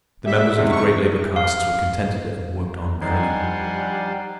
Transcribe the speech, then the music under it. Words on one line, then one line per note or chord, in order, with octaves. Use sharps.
The members of the great labor castes were contented and worked on merrily.
G3 E5
E2 C3 G#3
A3 C#6
F5
F3 G3 D4 D#4 C5 F#5 G#5